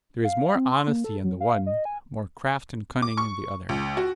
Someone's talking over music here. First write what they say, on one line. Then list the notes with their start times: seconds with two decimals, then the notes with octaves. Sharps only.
There is more honesty in the one, more craft and cunning in the other.
0.24 F5
0.55 C4
0.72 C6
0.87 A#3
1.04 A4
1.24 F#3
1.41 F5
1.66 D#5
1.85 G#5
3.02 D6
3.17 C#6
3.69 C#2
3.97 F#4